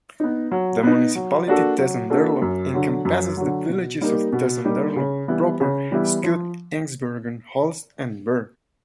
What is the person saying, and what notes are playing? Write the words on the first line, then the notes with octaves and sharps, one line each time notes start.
The municipality Tessenderlo encompasses the villages of Tessenderlo proper, Schoot, Engsbergen, Hulst and Berg.
B3 D#4
F#3
B3 D#4
F#3
A#3 D4 F#4 A4
F#3
A#3 D4 F#4 A4
F#2
D3 F#3
F#2
D3 F#3
B2
G3 A#3 D#4 G4
B2
G3 A#3 D#4 G4
C#3
E3 G3 B3 E4
C#3
E3 G3 B3 E4
F3